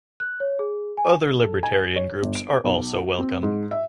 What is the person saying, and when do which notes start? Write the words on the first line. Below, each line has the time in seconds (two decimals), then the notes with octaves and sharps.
Other libertarian groups are also welcome.
0.20 F#6
0.40 C#5
0.59 G#4
0.97 G#5
1.43 A4
1.63 G#5
1.96 C#5
2.22 G1
2.35 D7
2.64 B1
2.95 F#4
3.19 C4
3.43 G#2
3.71 E5